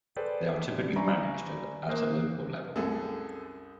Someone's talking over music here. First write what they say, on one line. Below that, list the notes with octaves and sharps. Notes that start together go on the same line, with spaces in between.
They are typically managed at a local level.
G#4 A4 B4 C5 D5 G5
D5 E5 G#5 A#5 B5 C#6
A#3 A#4 C5 D#6 F#6
C2 F#2 G#4 A4